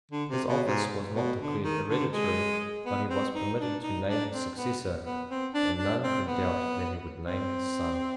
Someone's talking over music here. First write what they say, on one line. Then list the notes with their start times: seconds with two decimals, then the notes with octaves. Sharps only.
His office was not declared hereditary: but he was permitted to name his successor; and none could doubt that he would name his Son.
0.11 D3
0.29 C3
0.48 B2
0.66 G#2
1.14 B2
1.40 D3
1.63 D#3
1.88 D3
2.12 G#3
2.85 B3
3.10 C4
3.35 D#4
3.59 D4
3.83 D#4
4.07 D4
4.32 C4
4.57 B3
5.05 B3
5.30 C4
5.54 D4
5.79 D4
6.03 C4
6.27 B3
7.26 C4